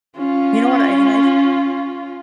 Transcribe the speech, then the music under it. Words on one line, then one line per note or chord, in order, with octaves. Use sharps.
You know what? I and I f
C#4 F4